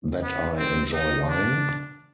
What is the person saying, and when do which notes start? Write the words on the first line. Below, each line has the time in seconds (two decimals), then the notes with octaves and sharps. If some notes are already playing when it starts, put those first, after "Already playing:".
That I enjoy lying?
0.23 B3
0.57 C4
0.93 D#4
1.29 D4